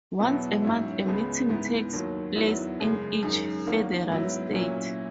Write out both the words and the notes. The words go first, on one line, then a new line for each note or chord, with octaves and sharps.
Once a month a meeting takes place in each federal state.
E2 B2 F#3 B3 E4
G#2 F#3 C#4 E4
C#2 C#3 G#3 B3
G#2 E3 B3
D#2 D#3 F#3
E2 D#3 F#3 B3 E4
F#2 C#3 G#3
F#2 D#3 G#3 D#4
E2 D#3 A#3 C#4
G#2 F#3 B3 E4
A#2 F#3 C#4 E4